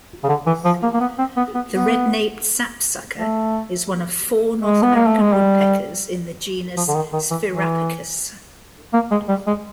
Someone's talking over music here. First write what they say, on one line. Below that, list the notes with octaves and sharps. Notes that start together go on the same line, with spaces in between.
The red-naped sapsucker is one of four North American woodpeckers in the genus "Sphyrapicus".
C#3
D3
E3
F3
A#3
A#3
B3
C4
B3
B3
B3
A3
G#3
B3
A#3
A3
G#3
G3
F3
D3
D#3
D#3
E3
E3
A#3
G#3
G3
G#3